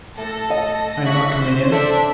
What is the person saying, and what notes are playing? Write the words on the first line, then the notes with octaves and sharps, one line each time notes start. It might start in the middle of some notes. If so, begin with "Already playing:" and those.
I am not coming in.
A2 A4 A#6
D#5
E4 G#4 E5 C#6 F#6 B6
E4 C5
D4 A4 E5